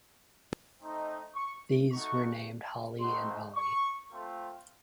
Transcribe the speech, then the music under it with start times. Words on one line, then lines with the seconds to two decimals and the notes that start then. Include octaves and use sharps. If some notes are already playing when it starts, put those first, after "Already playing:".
These were named "Holly" and "Olly".
0.80 A3 C4 D#4
1.35 C#6
1.90 A3 D#4 F#4 C#6
3.00 A3 C4 D#4 F#4 C6
3.55 C#6
4.09 A3 C4 F4